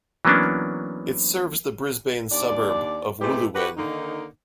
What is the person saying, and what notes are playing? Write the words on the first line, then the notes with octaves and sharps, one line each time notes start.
It serves the Brisbane suburb of Wooloowin.
E3 F#3 A#3 B3 C#4 D4
D#2 D4 D5
G#2 B2 E3 A3 G4
F#4 G4 B4
D3 D#3 A#3 D#4